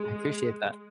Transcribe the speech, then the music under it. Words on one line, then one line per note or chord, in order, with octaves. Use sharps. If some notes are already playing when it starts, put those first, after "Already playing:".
I appreciate that.
Already playing: G#3